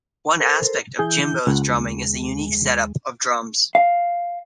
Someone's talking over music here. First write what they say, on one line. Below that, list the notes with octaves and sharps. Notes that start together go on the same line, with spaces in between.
One aspect of Jimbo's drumming is the unique setup of drums.
A4 A#4 C5
E3 E4 G#4 G6
C#2 F#5
D#2 G#3
F5